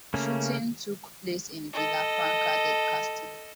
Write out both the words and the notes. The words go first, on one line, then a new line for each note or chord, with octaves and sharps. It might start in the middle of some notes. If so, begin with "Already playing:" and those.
Shooting took place in Villafranca del Castillo.
C#3 A3 A#3 C#4
A4 D#5